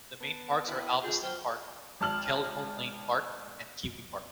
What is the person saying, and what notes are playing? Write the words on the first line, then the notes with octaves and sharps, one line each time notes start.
The main parks are Alvaston Park, Keldholme Lane Park and Kiwi Park.
B3 B4 A5
E4 F#4 G5 D#6
F4 G#4 G6
F#3 C5 G5 F6
G#1 A5 F6 F#7